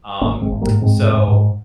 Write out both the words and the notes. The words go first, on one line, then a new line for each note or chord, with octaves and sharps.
Um, so
G#1 A#3 C#4
G#1
G#3 C4
G#1
G3 A#3
G#2
G#2 G#3 C4
G#2
G#2
G#2